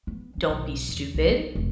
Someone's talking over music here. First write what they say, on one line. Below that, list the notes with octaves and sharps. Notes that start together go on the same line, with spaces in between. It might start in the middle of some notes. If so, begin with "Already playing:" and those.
don't be stupid,
B3
C#4
B1
E2
C2
B3
F1